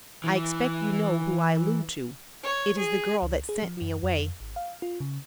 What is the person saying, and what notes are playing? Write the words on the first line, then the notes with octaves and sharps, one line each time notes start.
I expect you know who I allude to, it is the girl that sent me away.
E3 E4
C#5
G#4
C#2
G#4
F3
F#2
F2
G#1
F5
F4
C#3